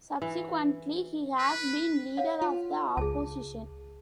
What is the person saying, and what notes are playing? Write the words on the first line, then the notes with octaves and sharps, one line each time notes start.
Subsequently he has been Leader of the Opposition.
E3
B4
C#5 F5 F#5
F4
C#2 G#4 A5